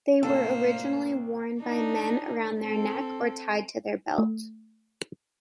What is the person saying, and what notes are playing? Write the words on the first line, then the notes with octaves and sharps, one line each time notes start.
They were originally worn by men around their neck or tied to their belt.
C2 A2 A#3 D4 A4 C5
D4 D#4
C4 A4
A3